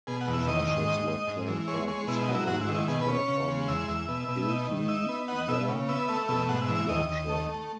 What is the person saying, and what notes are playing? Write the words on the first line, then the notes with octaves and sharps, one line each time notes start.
His ashes were claimed by his family and spread on Ilkley Moor in Yorkshire.
B2 G#4
F#5
E2
E5
D#3 D#5
G#2
D#4
D#4
G#2
E3
G#3 C#5
G#3 C#5
B2 E4
D#4
F#3
E4
G#2 F#4
E4
D#3
E4
B2 G#4
B4
C#4
C#5
C#3
G#3
E2 E5
E2
B2
B2
D#4
D#3
D#4 E5
B3
D#4 F#5
B2 E5
C#3
B3 E5
A3 E5
B2 E5
G#2 F#5
E5
E3
E5
D#2 D#5
D#2
A3
A3